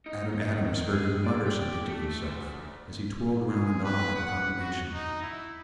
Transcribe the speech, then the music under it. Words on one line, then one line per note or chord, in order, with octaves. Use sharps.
Adam Adams heard him mutter something to himself as he twirled around the knob of the combination.
D#4
D#3
G#4
D5
G4
A3
D2
G#4
B4
F#5
F#4
D#4
E4